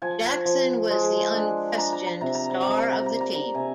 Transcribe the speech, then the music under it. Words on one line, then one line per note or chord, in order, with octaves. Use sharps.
Jackson was the unquestioned star of the team.
F3 G#5
F3
G#3
D4
D4 A#5
A#5
A#5
C3 A#5
A#5
A#5
G3 A#5
A#5
A#5
A#3 A#5
A#5
A#5
C3 G#5